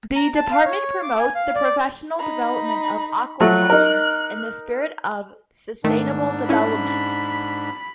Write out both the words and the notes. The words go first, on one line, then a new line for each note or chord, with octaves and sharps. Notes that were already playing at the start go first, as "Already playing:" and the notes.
The department promotes the professional development of aquaculture in the spirit of sustainable development.
A#5
A5
F5
C#5
D6
G#5
F5
D5
D#4 B5
F3 F#3 A3 F#6
D#4 A#4
G#2 D#3 A3 D4
C#4 E4 B5